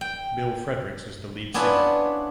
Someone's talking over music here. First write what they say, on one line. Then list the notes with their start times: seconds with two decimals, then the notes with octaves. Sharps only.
Bill Fredericks is the lead singer.
0.01 G5
1.54 B3 C#4 D4 E4 F4 B4